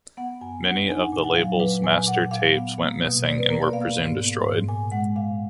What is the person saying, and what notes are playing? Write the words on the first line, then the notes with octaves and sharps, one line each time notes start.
Many of the label's master tapes went missing and were presumed destroyed.
B3 F#5
F#2 G#5
D4 F#5
D#4 G#5
F#5
A#2 G#5
F#5
F#3 F5
A#2 B4
A#2 G#5
A#2 F#5
A#2 F5
B3
A#3
B2
B2 D5
B4
A#3 A#4
D5
B3 F5
G#2
B3
G#2
A#2 G#5
G#3 F#5
A#2 F5